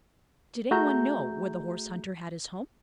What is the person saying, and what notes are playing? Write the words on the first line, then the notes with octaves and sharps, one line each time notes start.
Did any one know where the horse-hunter had his home?
A3 F#4 G#4 E5 A#5 G6